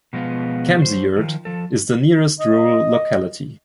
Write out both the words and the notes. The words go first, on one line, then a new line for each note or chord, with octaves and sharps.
Kemsiyurt is the nearest rural locality.
B2 F3 G#3 A3 B3 F4
F#3 C5
D#3 F3
F3 A4
D#5